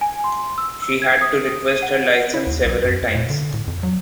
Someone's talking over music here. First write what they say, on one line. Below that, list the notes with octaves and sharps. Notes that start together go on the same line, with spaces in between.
She had to request her license several times.
G#5
C6
E6
E6
G#6
D#6
D#7
F#5
E4
D#2
B1
F#2
F2
A#2
D3
A2
F2
F#3